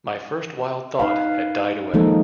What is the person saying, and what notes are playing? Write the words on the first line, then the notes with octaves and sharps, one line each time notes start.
My first wild thought had died away.
D#4 B4 F5
D#3 F3 G#3 A#3 D#4 A4